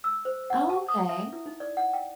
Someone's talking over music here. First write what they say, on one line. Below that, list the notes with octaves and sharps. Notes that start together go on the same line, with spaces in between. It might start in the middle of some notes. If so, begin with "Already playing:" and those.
Oh, okay.
E6
C5
F#5
A5
D#6
E5
E4
D#4
D5
F#5
G5